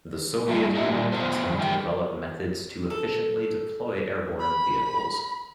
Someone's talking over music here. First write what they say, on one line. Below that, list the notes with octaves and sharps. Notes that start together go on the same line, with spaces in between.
The Soviet Union continued to develop methods to efficiently deploy airborne vehicles.
G3 A3 A#3 G#4
C#4 D#4 E4 G4 D#5 E5
A#2 G3 D4
B3 F4 C5
E2 G2 D#3 E3
E3 G3 F5 G5
A4
B5